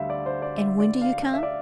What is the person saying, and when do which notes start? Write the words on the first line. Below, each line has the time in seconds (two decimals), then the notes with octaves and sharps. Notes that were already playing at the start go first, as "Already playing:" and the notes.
"And when do you come?"
Already playing: D2 D3 G3 E5 F5
0.10 D5
0.26 C5
0.42 D5
0.57 E5
0.80 D5
1.02 F5
1.22 F5
1.33 E5
1.43 D5